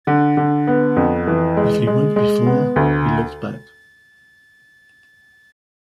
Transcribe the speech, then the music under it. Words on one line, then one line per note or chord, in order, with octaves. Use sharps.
If he went before, he looked back.
D3
D3
B3
F2
E3
G#3
G#3
G#3
B3
D2